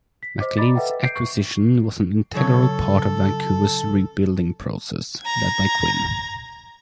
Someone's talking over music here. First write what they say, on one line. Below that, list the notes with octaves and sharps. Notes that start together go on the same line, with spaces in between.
McLean's acquisition was an integral part of Vancouver's rebuilding process, led by Quinn.
B6
C5 D#5 D6
D5 D#5 A#5 B5 D6 A6
A4 B4 D#5 E5 F#5 G5
G6 C7 D7
C#6
F#2 C#3 A4 C#5
A#5 G#6